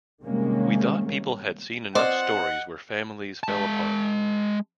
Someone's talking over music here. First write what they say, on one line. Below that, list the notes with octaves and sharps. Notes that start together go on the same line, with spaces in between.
We thought people had seen enough stories where families fell apart.
C3 D#3 G3 G#3 A#3 C#4
C4 F4 C5 D5 D#5 F#5
G#3 A5